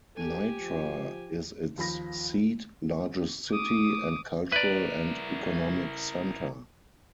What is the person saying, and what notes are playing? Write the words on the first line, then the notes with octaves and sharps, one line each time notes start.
Nitra is its seat, largest city, and cultural and economic center.
G4 A4 G#5
F3
D#2 F3 B5 A#6
D6 D#6
E4 A#4 B4 D5